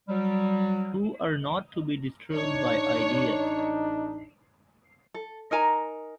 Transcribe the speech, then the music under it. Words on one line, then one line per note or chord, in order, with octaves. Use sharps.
Who are not to be disturbed by ideas.
F#3 G3
A1 D4 D#4 C#5
A4
D#4 A#4 G#5 A#5